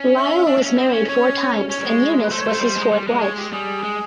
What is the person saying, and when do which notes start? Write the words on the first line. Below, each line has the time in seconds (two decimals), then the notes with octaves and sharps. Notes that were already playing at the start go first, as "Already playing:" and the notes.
Lyle was married four times and Eunice was his fourth wife.
Already playing: C#4
0.16 E5
0.47 D4
0.58 D4
0.63 C#4
0.78 C4 D#5
0.93 C#4 C#5
1.08 C#4 C#5
1.70 C#4 C#5
1.80 G3
1.85 G#3
2.23 B4
2.30 A3 C5
2.40 C#5
2.46 A3 C5
2.61 G3
2.77 G#3
2.92 G3
3.07 G#3
3.22 C#5
3.37 G4
3.52 G3 G#4
3.84 G#3